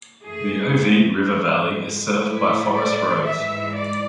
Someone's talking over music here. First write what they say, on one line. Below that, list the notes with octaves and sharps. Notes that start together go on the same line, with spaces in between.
The Ovide river valley is served by forest roads.
F#2 E3 A3 G#4
G#2 G#3
A2 F#3 A3 E4
D5
G#2 E3 G#3 E5
D5